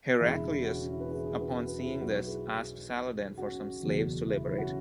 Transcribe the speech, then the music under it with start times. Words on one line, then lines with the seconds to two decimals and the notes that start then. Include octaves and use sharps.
Heraclius upon seeing this asked Saladin for some slaves to liberate.
0.19 E1 E2 C#3 E4 G#4
0.65 C#4 F#4
0.87 E4
1.00 B4
1.10 E4 G#4
1.25 E4 G#4
1.40 F#4 B4
1.56 F#4 B4
1.78 E4 G#4
2.01 B1 B2 F#3 F#4 B4
2.14 B4
2.23 E4 G#4
3.38 C#4 F#4
3.82 F#1 E2 B2 F#3
4.28 E4
4.44 E4
4.58 C#4 F#4